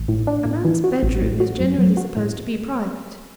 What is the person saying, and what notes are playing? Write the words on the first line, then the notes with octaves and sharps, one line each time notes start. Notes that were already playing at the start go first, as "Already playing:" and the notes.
"A man's bedroom is generally supposed to be private."
Already playing: A1
A2
D4
A2
E3
F#4
A1
A2
F#4
F#2
F#3
F#4
A2